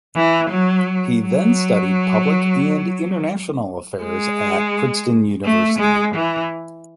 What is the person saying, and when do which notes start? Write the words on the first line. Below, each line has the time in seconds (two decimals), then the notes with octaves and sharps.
He then studied public and international affairs at Princeton University.
0.16 E3
0.50 F#3
1.21 F#3
4.03 G#3
5.45 A3
5.79 G#3
6.15 E3